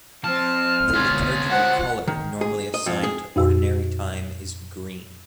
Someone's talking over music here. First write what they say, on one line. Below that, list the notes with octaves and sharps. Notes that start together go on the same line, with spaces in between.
The liturgical color normally assigned to Ordinary Time is green.
F3 C4 A5 F6
G#2 B2 F4 C#5
F#4 C5 F#5
D#3
G#4
D#5
F2
G#4
F2 A#2 F#4 F5 E6